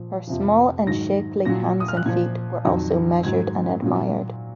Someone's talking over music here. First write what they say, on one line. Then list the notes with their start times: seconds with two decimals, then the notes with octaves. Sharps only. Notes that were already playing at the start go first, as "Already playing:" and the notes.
Her "small and shapely" hands and feet were also measured and admired.
Already playing: A#2 F3
0.27 F2 C3 F3
0.87 G#2 D#3 F#3 A#6
1.45 A#2 F#3 A#6
1.80 D#6
1.88 F6
1.97 F#6
2.06 A#2 F3 G#6
2.65 F2 D#3 F#3
3.23 G#2 D#3 F#3 G#6
3.82 A#2 F#3